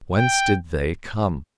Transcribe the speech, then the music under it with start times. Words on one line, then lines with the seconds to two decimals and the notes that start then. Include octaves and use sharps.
Whence did They come?
0.18 G5